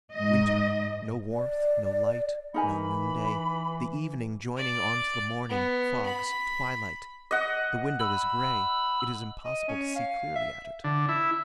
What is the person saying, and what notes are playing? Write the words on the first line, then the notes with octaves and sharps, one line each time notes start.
Winter: no warmth, no light, no noonday, the evening joining on to the morning, fogs, twilight; the window is gray; it is impossible to see clearly at it.
G#2 D#5
D5
E3 D#4 A#4 G#5 B5
D5
B3
B5
D#5 F#5
B5 E6
D#5
C#4
F5
E5
D3
E4